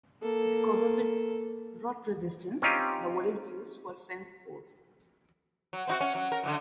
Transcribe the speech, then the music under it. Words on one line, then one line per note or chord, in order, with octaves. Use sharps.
Because of its rot resistance, the wood is used for fence posts.
A#3 A4
C4 C#4 D#4 F4 G4
F#3
C4 D#4 F#4
C#4
F#3
A#4
D3 E3 F#3